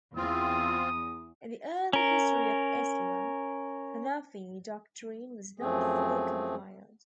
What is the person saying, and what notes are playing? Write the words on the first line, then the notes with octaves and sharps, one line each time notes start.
In the early history of Islam, Hanafi doctrine was not fully compiled.
E2 C4 F4 D#6
C#4 A#4
F#2 F3 A3 C4 G#4